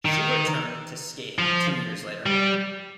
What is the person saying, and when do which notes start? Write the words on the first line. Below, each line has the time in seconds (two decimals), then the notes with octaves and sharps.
She returned to skating two years later.
0.05 D#3
1.39 F3
2.26 G3